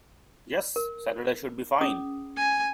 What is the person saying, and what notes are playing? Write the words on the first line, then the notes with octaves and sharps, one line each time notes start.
Yes, Saturday should be fine.
A#4
C#4 G#4 D#6
G#5